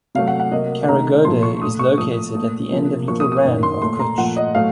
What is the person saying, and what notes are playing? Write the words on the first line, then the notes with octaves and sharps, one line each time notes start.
Kharaghoda is located at the end of Little Rann of Kutch.
C3 F#3 A3 F5
F#5
F#5
C3 F#3 A#3 D#5
C3 D#3 A3 A#5
A#2 F3 A3 C6
C#6
A2 A3 D#6
C#6
A#2 F3 A3 D#6
A#2 A3
C3 F3 A#3
A#2 F3 A#3 C#6
D#6
D#6
F#2 D#3 A#3
C6
A#2 A3 C6
A#5
A#2 F3 A3 F#5
D#5
A2 F#3 A3 F5